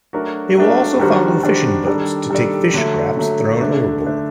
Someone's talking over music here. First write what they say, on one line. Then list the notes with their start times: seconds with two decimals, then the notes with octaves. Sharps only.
They will also follow fishing boats to take fish scraps thrown overboard.
0.13 F#3 A3 D4 F#4 A#4
0.56 F#3 A3 D4 F#4 A#4
1.00 D#3 G3 D4 F#4 C5
1.43 D#3 G3 D4 F#4 C5
1.87 D#3 G3 D4 A4 D5
2.30 D#3 G3 D4 A4 D5
2.74 D3 F#3 A3
3.17 D3 F#3 A3
3.60 D3 A3 D4
4.04 D3 A3 D4